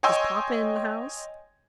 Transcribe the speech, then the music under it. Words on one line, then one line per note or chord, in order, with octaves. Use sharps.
"Is papa in the house?"
C#5 D#5 G5 G#5 C6 E6